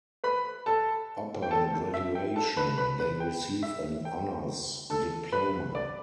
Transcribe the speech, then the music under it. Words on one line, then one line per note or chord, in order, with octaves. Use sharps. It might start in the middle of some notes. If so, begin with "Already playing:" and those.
Upon graduation, they receive an Honors diploma.
B4 B5
A4 A5
G5
A4 A5
E5
G5
A4 A5
B4 B5
B4 B5
B4 B5
G5
E5
G5
A4 A5
B4 B5
D5 D6